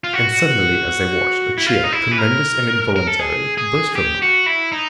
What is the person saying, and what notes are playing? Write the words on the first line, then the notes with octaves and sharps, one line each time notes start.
And suddenly as they watched, a cheer, tremendous and involuntary, burst from them.
F4
F#4
E4
F4
D#4
E4
B4
A#4
A#4
A4
G#4
G#4
G4
F#4
E4
D#4